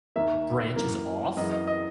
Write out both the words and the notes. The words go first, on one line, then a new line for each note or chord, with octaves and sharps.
branches off.
D#2 D#3 A#3 E5
F#2 E3 A#3
F#2 E3 G#3 D#5
D#5
D#5